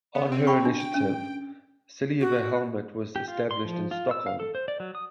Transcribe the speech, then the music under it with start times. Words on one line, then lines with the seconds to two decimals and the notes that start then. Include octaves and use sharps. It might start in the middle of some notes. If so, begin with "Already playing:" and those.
On her initiative, Silviahemmet was established in Stockholm.
0.15 B3
0.32 C4
0.47 G5 B5 C#6
0.65 D4
0.80 G5
0.94 C#4
2.20 F#4
3.16 G4
3.28 F4
3.51 C6
3.65 F3
3.91 F4
4.11 E6
4.26 F5
4.40 A4
4.55 C5
4.68 D5
4.80 F#3
4.95 D#6